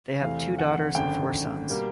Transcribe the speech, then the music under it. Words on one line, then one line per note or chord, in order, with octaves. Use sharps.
They have two daughters and four sons.
E2 C3 E3 A3 F5
F#5
G#1 F#2 D3 G5
B2 G3 A#3